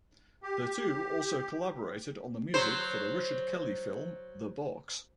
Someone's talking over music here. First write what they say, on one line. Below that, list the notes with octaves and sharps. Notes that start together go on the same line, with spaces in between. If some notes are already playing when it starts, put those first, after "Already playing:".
The two also collaborated on the music for the Richard Kelly film "The Box".
G4
F#3 C5